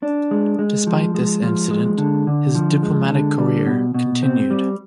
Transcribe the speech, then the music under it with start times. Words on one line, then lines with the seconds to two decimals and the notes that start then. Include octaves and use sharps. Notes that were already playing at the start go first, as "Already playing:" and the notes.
Despite this incident, his diplomatic career continued.
0.03 D4
0.31 G#3
0.59 G#3
0.87 F3
1.15 G#3
1.43 F3
1.71 G#3
1.98 D3
2.27 D3
2.55 F3
2.83 G#3
3.11 D3
3.38 G3
3.66 B2
3.94 B2
4.23 C4
4.50 G3